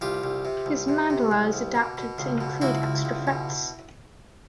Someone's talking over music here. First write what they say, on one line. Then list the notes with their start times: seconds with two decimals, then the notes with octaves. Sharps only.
His mandola is adapted to include extra frets.
0.01 C2 F4 G4
0.24 C2
0.45 C3
0.66 C2
0.88 C3
1.10 C3
1.31 C2
1.53 C2
1.75 B2
1.97 B2
2.18 C#2
2.41 B2
2.62 C#2 E4 F#4
2.83 C#2
3.05 C#2
3.27 B2